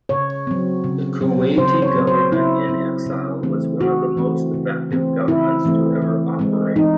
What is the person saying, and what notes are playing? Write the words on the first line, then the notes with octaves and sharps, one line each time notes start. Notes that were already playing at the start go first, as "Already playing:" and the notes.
The Kuwaiti government-in-exile was one of the most effective governments to ever operate.
C#3 C#5
F#3 C4
C#3
F#3 C4
C#3 C5
C#5
F#3 C4
C5
C#3 E4
F#3 C4
C#3
E3 A3 C4
C#3 F#4
E3 A3 C4
C#3
E3 A3 C4
C#3 E4
E3 A3 C4
E3
G#3 C4
E3 D#4